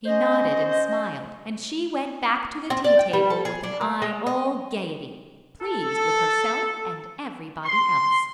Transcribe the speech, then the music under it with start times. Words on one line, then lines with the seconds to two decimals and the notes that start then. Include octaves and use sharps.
He nodded and smiled, and she went back to the tea-table with an eye all gaiety, pleased with herself and everybody else.
0.06 C#4 C5 D#5
2.70 C4
2.84 D5
2.99 G5
3.13 G3
3.30 A4
3.45 G#4
3.63 D4
3.81 A#3
4.02 G#3
4.26 D#5
5.62 A4
7.65 C6